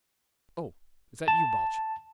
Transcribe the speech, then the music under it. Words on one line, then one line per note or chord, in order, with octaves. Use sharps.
Oh, is that you, Balch?
A5